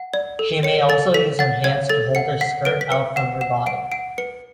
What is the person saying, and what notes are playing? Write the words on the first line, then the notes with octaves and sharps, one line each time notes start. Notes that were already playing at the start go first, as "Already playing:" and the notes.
She may also use her hands to hold her skirt out from her body.
Already playing: F#5
D5
A4
C#5 C#7
A4 A6
A4 B6
F#5 A6
C#5 G#6
A4 A6
F#5 C#7
F#5 B6
B4 D7
B6
B4 C#7
F#5 E7
F#5 E7
F#5 D7
F#5 D7
B4 C#7